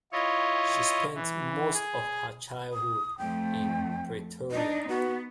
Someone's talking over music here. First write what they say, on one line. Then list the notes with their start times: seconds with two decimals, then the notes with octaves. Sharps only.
She spent most of her childhood in Pretoria.
0.12 E4 F4 C#5 D#5
1.15 E3
1.73 G#4
2.73 D#6
3.18 F2 A3 G5
4.51 D4 D#4 D#5
4.89 B3 F#4